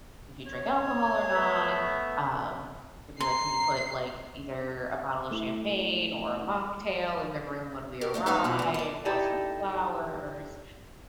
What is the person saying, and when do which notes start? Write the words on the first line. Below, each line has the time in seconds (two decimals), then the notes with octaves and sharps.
if you drink alcohol or not. Um, it'd be like, "Can you put like either a bottle of champagne or a mocktail in the room when we arrive or some flowers?"
0.46 C#5
1.34 A3 B3 E5
3.20 A#5 C6 C7
5.31 A3 E4
8.01 G4 A#4
8.14 D3 A3 D5 F5
8.26 G#2 E3 D#4 B4 F5 A#5
8.44 B2 F3 F#4
8.59 B2 D3
8.74 A4 D5
9.05 D#4 E4 G4 A4 D5 D#5